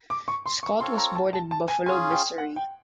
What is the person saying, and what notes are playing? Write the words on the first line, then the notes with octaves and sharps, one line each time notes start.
Scott was born in Buffalo, Missouri.
D6
C#6
C6
C#6
C4 F4 A4 C#5 C6
A#5
A5
A5
A5
G#5
C#4 F4 G#4 G#5
G5
F#5
G5